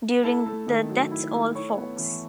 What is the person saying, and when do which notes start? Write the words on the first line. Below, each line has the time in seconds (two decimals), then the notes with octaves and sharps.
During the That's all, Folks!
0.24 E4 A4 A5
0.46 A3
0.68 D#3
0.90 F#3
1.11 E4
1.33 A3
1.55 E4 C#5 C#6
1.77 B3
1.99 E3